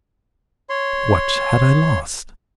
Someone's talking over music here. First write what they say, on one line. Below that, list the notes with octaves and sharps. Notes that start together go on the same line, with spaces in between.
What had I lost?
C#5 C6